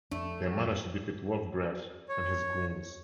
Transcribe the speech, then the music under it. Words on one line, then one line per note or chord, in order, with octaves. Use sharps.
They manage to defeat Wolfbreath and his goons.
F2 A3 D4
C#5